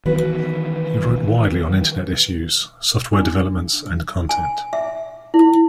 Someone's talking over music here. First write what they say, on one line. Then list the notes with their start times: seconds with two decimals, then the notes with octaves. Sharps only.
He wrote widely on internet issues, software developments and content.
0.05 D#3 E3 F#3 B3 F#4 B4
3.13 D4
4.29 G#5
4.73 E5
5.34 E4